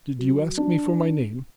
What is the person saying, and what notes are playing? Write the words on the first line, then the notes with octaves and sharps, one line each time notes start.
"Did you ask me for my name?"
F#3
D4